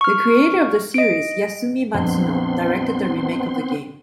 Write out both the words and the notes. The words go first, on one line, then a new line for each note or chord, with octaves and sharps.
The creator of the series, Yasumi Matsuno, directed the remake of the game.
C#6 F6
D#5 D7
A#1 F2 B3 C4 C6